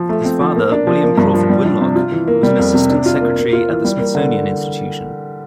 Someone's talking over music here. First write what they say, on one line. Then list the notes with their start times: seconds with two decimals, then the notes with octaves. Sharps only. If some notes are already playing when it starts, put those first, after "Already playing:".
His father, William Crawford Winlock, was an assistant secretary at the Smithsonian Institution.
Already playing: F3
0.09 A3
0.25 C4
0.41 F3
0.56 A#3
0.72 D4
0.87 F3
1.03 A#3
1.18 G2
1.34 F3
1.50 G3
1.65 D4
1.81 C3
1.96 F4
2.12 E3
2.28 A#3
2.43 G3
2.59 F2
2.74 C3
2.89 D4
3.06 F4
3.21 A#3
3.37 A#3
3.53 F4
3.69 E3
3.85 G3
3.99 A#3
4.15 D3